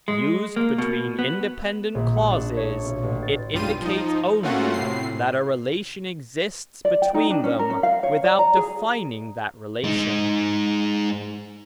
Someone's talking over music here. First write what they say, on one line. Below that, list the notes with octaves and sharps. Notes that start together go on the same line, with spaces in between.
Used between independent clauses, it indicates only that a relation exists between them without defining that relation.
G#3
A#3
B2
B3
A#1
F#5
D4
C#5
B1
A1
A6
B1 G2 G3 F4 D#7
F3 D#4
A3 A#3 C#4 F4 F#4 F#5
A2 C3 C7
D5
G5
D#4
D4
C#4
A#4
C#4
F5
C#5
D5
A#5
G#4
G#3 D#4